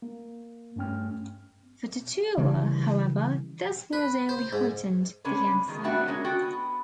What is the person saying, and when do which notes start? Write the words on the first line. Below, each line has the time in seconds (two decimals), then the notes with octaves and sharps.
For "Tutuila", however, this news only heightened the anxiety.
0.02 A#3
0.76 G2 A3 C#4 G5 F6
2.38 C#3 E3 G3
3.93 B4
4.29 C5
4.53 G#2
5.24 C3 C#4 D4 B4
5.66 B2 D#3 G#3
5.84 G3 B3 D4 F#4 E5 F#5
6.07 G#3 A#3 C#4 F#4
6.24 F#4 A4 G5
6.42 B3